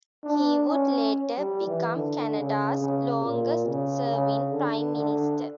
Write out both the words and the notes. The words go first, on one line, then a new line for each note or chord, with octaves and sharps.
He would later become Canada's longest serving Prime Minister.
D4
C#4
G3
E3
D3
C#3
C#3
A#2
C#3
C#3
D3
D3